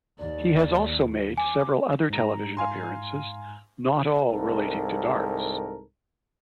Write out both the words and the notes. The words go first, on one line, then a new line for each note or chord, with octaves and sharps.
He has also made several other television appearances, not all relating to darts.
D#2 D5
G#5 D6
G#2 A#5
F5 G#5 C6
C2 G#2 A4 A#4